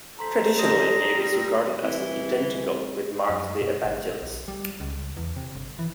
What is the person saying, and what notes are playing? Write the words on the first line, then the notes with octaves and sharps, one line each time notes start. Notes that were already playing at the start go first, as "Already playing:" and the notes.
Traditionally he is regarded as identical with Mark the Evangelist.
A4 C5 A#5 C6 B6
G3 A#5 D#6 B6
C2 E3
F#2
B2
G1
B1
G3
C#2
E2
C3
G1
E3